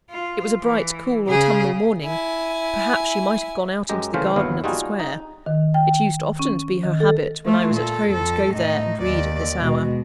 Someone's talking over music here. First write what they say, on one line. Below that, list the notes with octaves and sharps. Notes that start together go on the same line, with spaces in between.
It was a bright, cool, autumnal morning; perhaps she might have gone out into the garden of the square: it used often to be her habit, when I was at home, to go there and read at this hour.
F4
E3
C#3 G#4
E4 G#5
F#2 G#3 G4 A#5
C#3 E3 A3 C5 F5
G1 D#2 F#3 B3 E4 F5
G3 D#4 F4 F#4 G#4
D#4
D#3
G5
C#4
D#3
A4
A3 F4
A#2 A4
F2 A4
A2 D#4
D#2 D5
B2 G#3